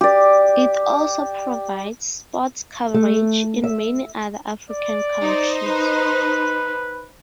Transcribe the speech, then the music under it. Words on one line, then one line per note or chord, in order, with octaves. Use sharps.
It also provides sports coverage in many other African countries.
G4 D5
A3
E5
D5
D#4 C5
B4